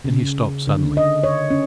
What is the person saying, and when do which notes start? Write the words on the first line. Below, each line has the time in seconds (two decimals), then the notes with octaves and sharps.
Then he stopped suddenly.
0.05 C#3
0.67 D3
0.97 D#5
1.23 C#5
1.51 C#4